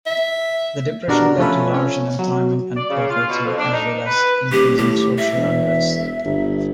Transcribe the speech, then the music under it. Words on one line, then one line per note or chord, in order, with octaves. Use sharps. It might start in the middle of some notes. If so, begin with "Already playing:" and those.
The depression lead to large unemployment and poverty, as well as increasing social unrest.
E5
B2 G3 D4 F#4 A#4
F3 A3 C#4 A4 B4
C#4
F#3
D5
C#3
F4
B2
F2
D4
D#4
B4
D#1 G4
A2 G4
E5
E1
G1